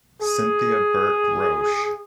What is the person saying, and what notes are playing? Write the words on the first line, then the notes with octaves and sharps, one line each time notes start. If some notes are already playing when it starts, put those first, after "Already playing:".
Cynthia Burke Roche.
G#4